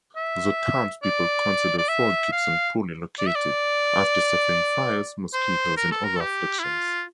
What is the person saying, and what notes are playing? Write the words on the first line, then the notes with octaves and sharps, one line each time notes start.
The townspeople considered Fort Gibson poorly located after suffering fires, mosquitoes, and other afflictions.
E5
D5
D5
E5
F5
D5
E5
D5
C5
A#4
A4
A#4
A4
G4
E4
F4